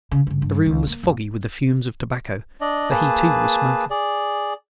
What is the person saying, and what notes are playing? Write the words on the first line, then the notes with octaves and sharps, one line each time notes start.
The room was foggy with the fumes of tobacco, for he, too, was smoking.
C#3
G2 C#3
G2
C#2
A#3
F2
D4 D5 D#5
A#3 G#4 B4 A5
G#4 D5